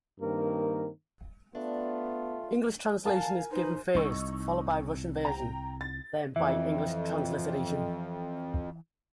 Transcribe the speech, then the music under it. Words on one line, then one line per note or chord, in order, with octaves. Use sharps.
English translation is given first, followed by Russian version, then by English transliteration.
G2 D#3 A#3 C4 A#4
A3 B3 D4 F4
A#4 F5 G#5 A5
D#4 B4 C5
C2 D#4 C#6 E6
G5 A#5
A6
F2 E3 E5